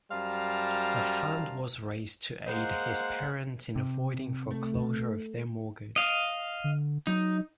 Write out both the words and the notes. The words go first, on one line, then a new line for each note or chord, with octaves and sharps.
A fund was raised to aid his parents in avoiding foreclosure of their mortgage.
F#2 G3 C5 F5 A5 A#5
G#3 A#3 C5 D#5 F#5
C3
A3
D#5 F5
D3
F#3 D#4